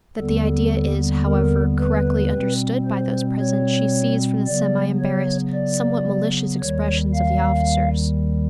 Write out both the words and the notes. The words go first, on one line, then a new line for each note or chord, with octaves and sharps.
That the idea is, however, correctly understood by those present she sees from the semi-embarrassed, somewhat malicious expressions of the officers.
D#2 D3 G3 B3 A4
A#4
B4
B2 G3 C4
C5
C#5
C#3 F#3 B3 D5
C#5
D5
D#2 D#3 G3 C#5
F5